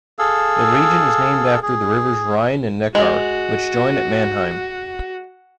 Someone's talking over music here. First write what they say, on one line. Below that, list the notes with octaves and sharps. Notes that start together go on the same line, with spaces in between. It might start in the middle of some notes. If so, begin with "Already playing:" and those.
The region is named after the rivers Rhine and Neckar, which join at Mannheim.
G#4 A4 F5 E6
G#4
G#3 F#4